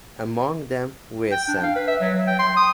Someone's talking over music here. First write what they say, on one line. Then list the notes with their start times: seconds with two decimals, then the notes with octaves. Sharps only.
Among them were Sen.
1.32 G5
1.48 D4
1.63 F5
1.76 B4
1.88 E5
2.01 F#3
2.15 F#3
2.27 G5
2.39 C6
2.57 D#6